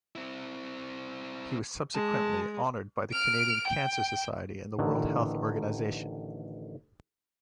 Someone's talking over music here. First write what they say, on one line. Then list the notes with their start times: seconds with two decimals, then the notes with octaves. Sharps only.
He was subsequently honoured by the Canadian Cancer Society and the World Health Organization.
0.15 C4 E4
1.95 G#3 A5
3.12 F6 D7
3.67 G5
4.79 A1 D3 D#3